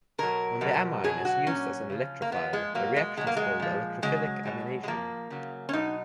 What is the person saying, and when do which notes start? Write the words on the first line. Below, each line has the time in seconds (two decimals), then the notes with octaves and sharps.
When the amine is used as an electrophile, the reaction is called electrophilic amination.
0.18 B2 F#3 A#4
0.61 B2 F#3
1.04 B2 F#3 G#4
1.25 F#4
1.47 A#2 F#3 C#4
1.90 C#3 F3
2.22 A#3
2.32 A#2 F3 B3
2.53 G#3
2.74 B2 F#3 A#3
2.96 G#3
3.17 B2 F#3 G#3
3.27 A#3
3.37 G#3
3.60 A#2 F3
4.02 C#3 F#3 G#3
4.45 B2 F#3
4.83 G#3
4.88 A#2 F3 A#3
5.30 C#3 F#3
5.69 C#4
5.73 B2 F#3 D#4